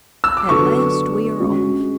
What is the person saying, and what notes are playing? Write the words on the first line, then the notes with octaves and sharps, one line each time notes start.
At last we are off.
E6
D6
D3 F#3 B3 D4 A4 C#6
G#3 C#4 F#4